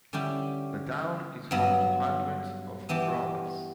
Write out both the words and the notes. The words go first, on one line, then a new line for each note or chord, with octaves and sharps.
The town is home to hundreds of brothels.
D3 G3 C#4 E4 G4
G2 F#3 B3
E3 B3 D4 G4